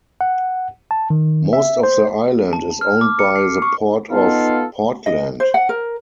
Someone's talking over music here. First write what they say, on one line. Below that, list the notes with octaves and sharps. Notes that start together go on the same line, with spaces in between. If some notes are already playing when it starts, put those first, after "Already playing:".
Most of the island is owned by the Port of Portland.
F#5
A5
D#3
E5
C5
A5
F6
D6
C#7
C7
C#6
B3 D#4 F4 A4 F5
D#5
C5
F#5
A#4